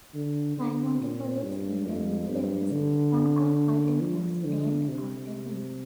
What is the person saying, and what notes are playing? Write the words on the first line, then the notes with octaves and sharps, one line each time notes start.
Raimondi College in the Mid-levels, Hong Kong Island was named after him.
D3
D3
A#2
G2
F2
G2
D3
F3
D3
C3